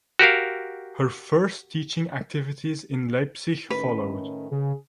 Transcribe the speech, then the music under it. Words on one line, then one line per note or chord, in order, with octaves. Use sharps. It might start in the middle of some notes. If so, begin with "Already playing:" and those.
Her first teaching activities in Leipzig followed.
F#4 G4 A#4 F5
A2 D#3 C#4 B4
C#3 G#4